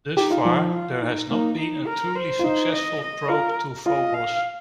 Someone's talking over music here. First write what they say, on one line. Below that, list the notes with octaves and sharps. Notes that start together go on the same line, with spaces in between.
Thus far, there has not been a truly successful probe to Phobos.
D#4 G4
F4
F3
F4
D#4
A#3 D#4
D#4
A#4
C5
F4
D#4
D#5
D#5
F4 A#4
F4 D#5
F5